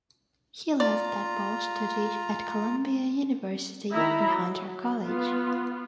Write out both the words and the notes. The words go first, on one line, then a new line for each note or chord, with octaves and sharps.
He left that post to teach at Columbia University and Hunter College.
F4 D5 A#5
D#3 E4 D#5 E5 A#5 B5
F#3
B3 F4